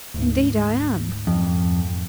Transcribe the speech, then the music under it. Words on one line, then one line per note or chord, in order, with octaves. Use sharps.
"Indeed I am."
D2 G#2
F2